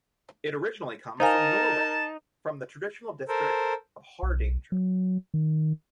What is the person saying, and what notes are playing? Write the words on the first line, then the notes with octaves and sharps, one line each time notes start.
It originally comes from Norway, from the traditional district of Hardanger.
D#4 A#4 C5 F5 G#5 A5
A4 A#4 C5
B1
F#3
D#3